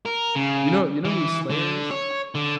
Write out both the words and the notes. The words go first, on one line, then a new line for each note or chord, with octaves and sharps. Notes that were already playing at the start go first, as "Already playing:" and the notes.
You know you know who Slayr is?
A#4
C#3
E3
D3
C#5
D3